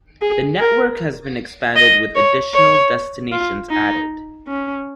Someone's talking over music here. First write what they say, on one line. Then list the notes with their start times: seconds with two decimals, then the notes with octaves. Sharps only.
The network has been expanded with additional destinations added.
0.21 G#4
0.60 A#4
1.76 D#5
2.15 C#5
2.54 C#5
3.32 F4
3.70 D#4
4.48 C#4